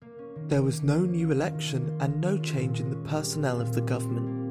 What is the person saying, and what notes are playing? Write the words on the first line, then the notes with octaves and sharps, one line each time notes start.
There was no new election and no change in the personnel of the Government.
A#3
C#4
D#3
D#3
A#3
C#4
A#3
F4
D#3
D#3
A#3
F4
G#3
C#4
F4
A#2
G#3
C#4
G3
C4
F4
A#2
G3
C4
G3
A#3